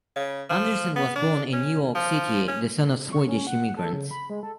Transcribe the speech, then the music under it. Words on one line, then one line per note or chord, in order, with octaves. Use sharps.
Anderson was born in New York City, the son of Swedish immigrants.
C#3
F3
B3
D4
C#4
F3
C#4
C#6
C#4
F#5
A4
C#3
B5
G#3
A4